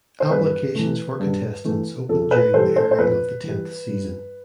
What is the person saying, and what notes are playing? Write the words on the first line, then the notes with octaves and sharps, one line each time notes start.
Applications for contestants opened during the airing of the tenth season.
C5
G2 B4
E3 A3
G2
E3 A3
F2 A4
B4
E3 G3 A4 C5
A4 C5
C5
F2 B4
E3 G3
G2